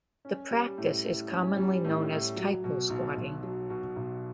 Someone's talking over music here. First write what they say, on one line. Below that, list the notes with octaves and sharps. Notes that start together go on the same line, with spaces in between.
The practice is commonly known as "typosquatting".
C#4
G3
A2
A2
C#4
G3
A2
A2
F#3
B2
B1
B1
F#3
B2
B1